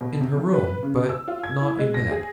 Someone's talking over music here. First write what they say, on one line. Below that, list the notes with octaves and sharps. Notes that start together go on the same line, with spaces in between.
'In her room, but not in bed.'
B2
C3
F3
B4
C#3
E6
F4
G#6
E4
G#3
A#6
G#4